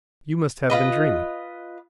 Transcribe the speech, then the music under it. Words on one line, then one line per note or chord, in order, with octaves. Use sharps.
You must have been dreaming!
F4 B4 D#5